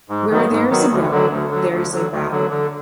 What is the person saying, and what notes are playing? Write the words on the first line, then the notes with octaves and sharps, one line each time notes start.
Where there is a bell, there is a battle.
G#2
D#3 F#3 B3
G#2
D#3 F#3 B3
D2
D3 F#3
D2
D3 F#3
D2
D3 F#3
D2
D3 F#3
D3